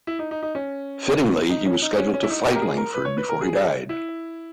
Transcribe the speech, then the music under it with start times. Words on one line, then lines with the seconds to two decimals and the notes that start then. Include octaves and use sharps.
Fittingly, he was scheduled to fight Langford before he died.
0.07 E4
0.19 D#4
0.31 D#4
0.43 D#4
0.55 C#4
1.50 D#4
1.66 C#4
1.82 D#4
1.98 C#4
2.14 C#4
2.23 E4
2.30 D#4
2.47 G4
2.55 A#4
2.62 G#4
2.77 A#4
2.94 B4
3.05 C#5
3.18 B4
3.29 A#4
3.41 G#4
3.57 G#4
3.89 E4